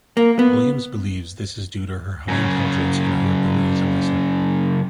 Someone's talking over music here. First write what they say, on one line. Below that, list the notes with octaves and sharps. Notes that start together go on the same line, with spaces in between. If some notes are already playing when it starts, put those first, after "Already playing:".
Williams believes this is due to her high intelligence and her ability to listen.
A#3
B3
F#2 C#3